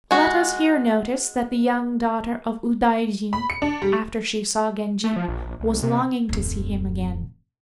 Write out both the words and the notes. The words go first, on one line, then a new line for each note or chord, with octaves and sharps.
Let us here notice that the young daughter of Udaijin, after she saw Genji, was longing to see him again.
G#3 F#4
B5
C#7
D4
G3
A3
F3
A#1
A#1
C2
C3
D1 F2